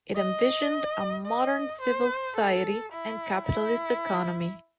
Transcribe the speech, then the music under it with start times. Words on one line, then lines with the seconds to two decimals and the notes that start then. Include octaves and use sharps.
It envisioned a modern civil society and capitalist economy.
0.16 D#5
1.26 D#5
1.81 C5
2.36 A4
2.92 E4
3.47 E4